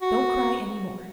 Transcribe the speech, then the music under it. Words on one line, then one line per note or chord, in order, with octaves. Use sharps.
Don't cry any more.
F#4